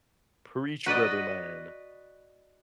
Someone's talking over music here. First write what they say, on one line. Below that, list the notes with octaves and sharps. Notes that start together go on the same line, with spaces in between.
preach, brother man.
F#4 B4 D5 D#5